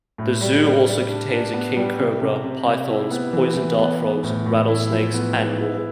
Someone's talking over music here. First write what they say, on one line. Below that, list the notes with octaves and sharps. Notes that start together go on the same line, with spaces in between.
The zoo also contains a king cobra, pythons, poison dart frogs, rattlesnakes, and more.
A2
G3
G3
G3
D4
D4
B3
G3
C3
C3
C3
C3
E4
B3
E3
E3
B3
B3
A2
A2
E4
F3
B3
B3
E4